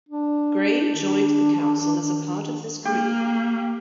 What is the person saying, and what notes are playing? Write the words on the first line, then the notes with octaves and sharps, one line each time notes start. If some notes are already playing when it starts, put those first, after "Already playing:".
Grey joined the Council as a part of this group.
D4
D#3 D4
A#3 G4